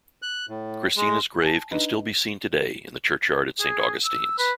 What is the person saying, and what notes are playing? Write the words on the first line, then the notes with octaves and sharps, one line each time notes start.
Christina's grave can still be seen today in the churchyard at Saint Augustine's.
F#6
A2
G#3
G#5 A5
D4 D#4 B4 D#5
G#4
E6
B4